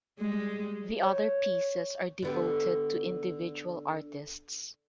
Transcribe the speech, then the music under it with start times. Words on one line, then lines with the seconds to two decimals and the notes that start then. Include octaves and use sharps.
The other pieces are devoted to individual artists.
0.19 G3 G#3
1.03 C#5
2.22 D3 B3 G4